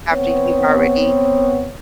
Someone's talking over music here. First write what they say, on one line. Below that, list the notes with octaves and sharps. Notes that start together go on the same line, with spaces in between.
After you've already
B3 C4 C#5